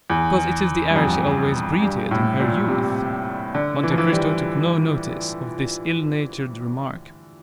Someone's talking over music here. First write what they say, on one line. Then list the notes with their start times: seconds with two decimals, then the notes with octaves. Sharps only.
"Because it is the air she always breathed in her youth." Monte Cristo took no notice of this ill-natured remark.
0.10 E2
0.91 G2
0.96 F2
1.82 G2
2.11 A2
2.40 A#2
2.68 C3
3.55 D3
3.83 E3
3.91 F3
3.98 E3
4.12 G3